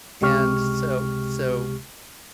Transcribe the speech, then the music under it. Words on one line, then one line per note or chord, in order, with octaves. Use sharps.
And so so
C#2 C3 G#3 G4 C#6 F6